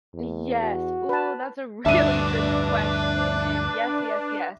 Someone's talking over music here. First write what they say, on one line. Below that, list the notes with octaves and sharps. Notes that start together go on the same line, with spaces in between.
Yes, ooh, that's a really good question, and yes yes yes.
E2
F#4
B4 A5
D2 G2 D4 B4 E5 A5 D#7